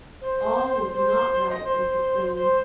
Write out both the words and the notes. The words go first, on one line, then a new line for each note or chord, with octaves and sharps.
All was not right with the Queen.
C5
C5
D#5
C5
C5